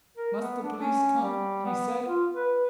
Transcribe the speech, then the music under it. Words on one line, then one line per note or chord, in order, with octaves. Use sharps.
"Must the police come?" he said.
A#4
B3
D4
C#4
G3
B3
F4
B4